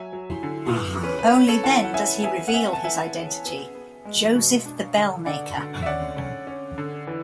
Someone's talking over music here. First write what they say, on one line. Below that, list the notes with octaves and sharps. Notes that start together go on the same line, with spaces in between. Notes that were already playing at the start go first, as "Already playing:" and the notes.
Only then does he reveal his identity: Joseph the Bellmaker!
Already playing: F#3 E5 G#5
F#3
D3
B3
C#4 B4
B4
C#4 B4
A4 C#5
E3 F#5 A5
F#5
C#4 E5 G#5
B3 E5 G#5
F#5
B3 E5 G#5
A5
E3 E5 G#5
B3
B3
B3
G#3
B2
D4
D3
D3 D5 F#5
D3
E5
C#4 D5 F#5
C#4
C#4
D3
E3